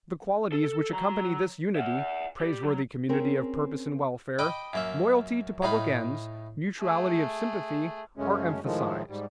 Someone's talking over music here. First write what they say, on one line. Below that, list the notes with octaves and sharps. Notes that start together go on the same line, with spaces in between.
The qualities which accompany this unity, praiseworthy community of purpose and welfare, loyalty to public ends, mutuality of sympathy, are emphasized.
A4
F#3 A#5
E5 F#5
G3 G4
F#3
C4 C#4 G#4 A#4
D#5 G5 B5 D6
F#2 A#3 E5
A2 D#4 F5 B5
A3 G#4
F#2 C#3 G#3 A3 C#4
A2 D#3 F3 G#3 A3
G#2 G3